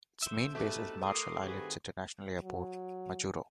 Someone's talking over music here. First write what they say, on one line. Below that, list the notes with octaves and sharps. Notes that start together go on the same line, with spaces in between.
Its main base is Marshall Islands International Airport, Majuro.
C5 E5
E2 A3 C4 D#4 F#4 G4 B4 A5
A#4 C6 D6 D#6
G2 D#3 C4 F#4 G#4 B4
F#3